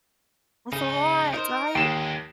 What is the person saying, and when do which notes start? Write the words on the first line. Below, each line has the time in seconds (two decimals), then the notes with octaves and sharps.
That's a lot, right?
0.73 C#2 C#3 D#4
1.33 D#4 A#4 C5
1.75 D#2 D3 G#3 G5 C7 E7